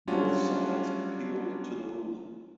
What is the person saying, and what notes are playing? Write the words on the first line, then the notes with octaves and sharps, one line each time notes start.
Both sides appealed to the ruling.
F#3 G3 C#4 D4 F4 F#4